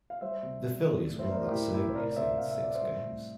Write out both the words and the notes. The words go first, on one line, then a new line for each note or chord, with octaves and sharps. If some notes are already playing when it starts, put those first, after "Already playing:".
The Phillies won that Series in six games.
F5
G3 C5 E5
C3
G3
G3
A2
C5 E5
A2 A#4 D5
C5
G4 A#4
A2 E4 G4
A2 E4 G4
C5
C3 A#4 D5
D5
C3 C5 E5
C3 F5
E5
C3 D5
C5 E5
G3
A2